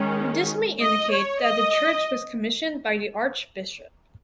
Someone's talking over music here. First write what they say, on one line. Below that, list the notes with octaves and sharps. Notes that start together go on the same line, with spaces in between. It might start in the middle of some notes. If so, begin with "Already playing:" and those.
This may indicate that the church was commissioned by the archbishop.
Already playing: D#3 G#3 C#4
D#5
C#5
D#5